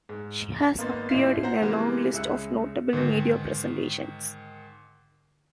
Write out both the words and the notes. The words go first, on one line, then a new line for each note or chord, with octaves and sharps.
She has appeared in a long list of notable media presentations.
G#2
G#1 A#3 B3 D#4 C6 A6
A1 D#2 E4 F4 C7
C5 F#5 A#5
C3 E3 G3 G#3 A#3
C#2 G#3 E5 E6 F#6 C#7
G#2 D3 D#3 B4 A#6